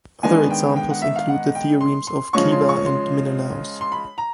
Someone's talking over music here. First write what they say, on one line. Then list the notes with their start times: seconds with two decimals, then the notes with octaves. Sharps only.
Other examples include the theorems of Ceva and Menelaus.
0.23 D#3 G#3 B3 D4 G#5
0.50 G5
0.76 G5
0.90 F#5
1.02 E5
1.16 F5
1.28 F#5
1.55 G5
1.81 C6
2.07 C6
2.33 C#3 F3 G#3 C#4 C#6
2.52 C6
2.69 C#6
2.86 C6
3.81 C6
3.92 B5
4.18 A#5